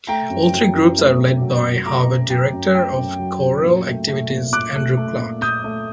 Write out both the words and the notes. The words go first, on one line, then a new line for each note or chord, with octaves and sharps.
All three groups are led by Harvard Director of Choral Activities Andrew Clark.
A3 G5 A#5
F#2
F#3
F#2
A3
F#2
F#3
F#2
A3 A#5 D6
F#2
F#3 G5
F#2
A3 G5
F#2
F#3
F#2
A#2
A3
A3
A#2
A#2 D6 F#6
A3
A3
A#2
A#2 D#6 G6
A3